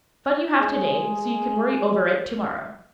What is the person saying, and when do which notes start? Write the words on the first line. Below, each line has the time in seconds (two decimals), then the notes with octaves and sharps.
Fun you have to-day so you can worry over it to-morrow.
0.60 G#3 G#4